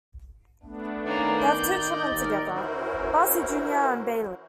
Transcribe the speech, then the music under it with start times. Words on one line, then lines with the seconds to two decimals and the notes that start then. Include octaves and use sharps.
They have two children together, Bracey Junior and Bailey.
0.63 A3 B3 D4
1.06 D#3 A#3 C#4 D5
1.40 G6
1.78 D#5
2.11 D#2 D#3 D#4 A#4
2.55 E3 C#4 E4 F#4 A#4 C5